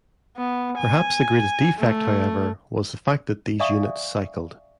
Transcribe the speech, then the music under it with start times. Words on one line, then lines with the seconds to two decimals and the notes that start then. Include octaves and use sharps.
Perhaps the greatest defect, however, was the fact that these units "cycled".
0.37 B3
0.77 G#5
1.79 A3
3.60 D5 E5 F5 G#5 C#6 D#6